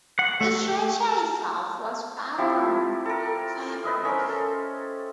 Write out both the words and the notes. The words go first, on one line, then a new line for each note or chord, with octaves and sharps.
The structure itself was far from fireproof.
F#5
A3
F3 C4 E4 G4
A4 A#4
B4 D#5 E5
C#4 A#4 C5
A4